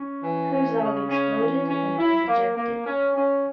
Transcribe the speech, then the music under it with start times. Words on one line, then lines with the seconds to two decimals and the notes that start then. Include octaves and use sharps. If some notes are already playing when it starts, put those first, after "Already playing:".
Herzog exploded and was ejected.
Already playing: C#4
0.21 E3
0.51 C#4
0.80 C#3
1.10 C#4
1.39 E3
1.68 C#4
1.97 E4
2.27 A#3
2.55 A#3
2.85 C#4
3.15 C#4